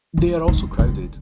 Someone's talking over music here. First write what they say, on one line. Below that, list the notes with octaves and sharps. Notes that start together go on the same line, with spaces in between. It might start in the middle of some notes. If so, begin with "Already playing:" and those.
They are also crowded.
F3
D#3
D3